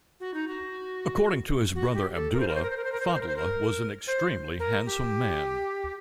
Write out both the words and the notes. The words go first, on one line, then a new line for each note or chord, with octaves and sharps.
According to his brother Abdullah, Fadl was an extremely handsome man.
F#4
D#4
F#4
F#4
G4
A4
A#4
C5
A#4
C5
A#4
C5
A#4
C5
A#4
C5
A#4
C5
A#4
C5
A#4
C5
A#4
G4